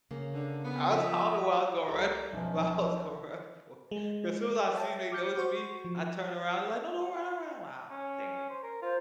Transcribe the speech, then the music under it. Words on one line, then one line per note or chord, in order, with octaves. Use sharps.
I was I don't know where I was gonna run, but I was gonna run for it, 'cause as soon as I seen they noticed me, I turn around, they're like, "No no don't run don't run." I'm like, "Aw, dang it."
C#3 A#3
D3
B3
F3 D#5 E5
C2 G4 A4 A#4 A#5
B1 F3 C#4 B4 E5
E6
G#3
C#5 E5 G5 A5
D6 F6 G6 C#7
F#4 C5 C#6
F3
C#4
C5
A#4
F4 C5